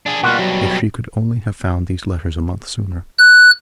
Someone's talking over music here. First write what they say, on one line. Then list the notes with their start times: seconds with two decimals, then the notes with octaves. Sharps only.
If she could only have found these letters a month sooner!
0.06 D4 G#4
0.23 B2 G3 A#3 F4 F#4
0.39 F#3
3.18 F#6